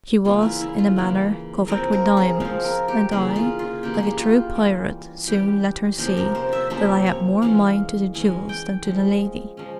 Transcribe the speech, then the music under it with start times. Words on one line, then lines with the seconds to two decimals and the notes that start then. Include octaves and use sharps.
She was, in a manner, covered with diamonds, and I, like a true pirate, soon let her see that I had more mind to the jewels than to the lady.
0.25 C#3 E3 A#3 F4
0.43 E4
0.61 E4
0.78 F4
0.96 C#3 E3 A#3
1.68 F3 C4 A#4
1.92 A#4
2.17 G#4
2.40 F3 C4 F5
2.64 A#4
2.88 G4
3.11 C#3 E3 A#3 C#4 G#4
3.36 F4
3.59 F4
3.83 C#3 E3 A#3 C#4 G4
3.94 G#4
4.03 G4
4.19 F4
4.55 E3 G3 C#4
5.27 E3 G3 C#4 G4
5.98 C3 F3 A#3 C#4 G4
6.17 A#4
6.35 C5
6.53 E5
6.70 C3 F3 A#3 C#4 E5
7.06 C#5
7.42 E3 G#3 C#4 F5
8.14 E3 G#3 C#4 G#5
8.49 G5
8.85 F3 G#3 C#4
9.57 F3 G#3 C#4